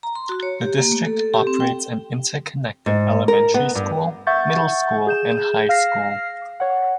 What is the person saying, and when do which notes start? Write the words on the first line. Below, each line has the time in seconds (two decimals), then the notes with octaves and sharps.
The district operates an interconnected elementary school, middle school, and high school.
0.03 A#5
0.15 C6
0.29 F#4
0.43 C#5
0.61 G4
0.78 A#3
0.92 A3
1.05 A4
1.20 A4
1.34 G4
1.47 C4
1.60 G5
2.86 G#2
3.28 A#4
3.54 B3
3.75 G2
4.27 E5 F#5 C#6 G6 A6
5.07 G#4 G6 E7
5.69 F5 F6 A#6 C7
6.60 C#5 F#5